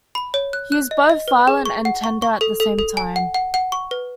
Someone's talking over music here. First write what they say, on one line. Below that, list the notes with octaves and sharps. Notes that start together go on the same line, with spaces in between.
He is both violent and tender at the same time.
B5
C#5
F#6
F#6
D#5
D#5
B4
G#4
C#6
F#5
C#6
C#6
A4
A4
A4
G#5
F#5
F#5
F#5
C#6
B4